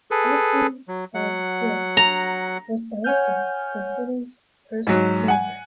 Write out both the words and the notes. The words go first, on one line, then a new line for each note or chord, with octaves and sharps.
Edwin L. Dirck was elected the city's first mayor.
G#4 A4 B4
F#3
F#3 F#5
A#5
C#5 F#5 G#5 F6 G6
G#2 F#3
F#5 G#5